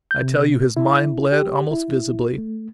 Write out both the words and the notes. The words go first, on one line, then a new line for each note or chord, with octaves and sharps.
I tell you his mind bled almost visibly.
G6
C3
E4
G4
E4
A3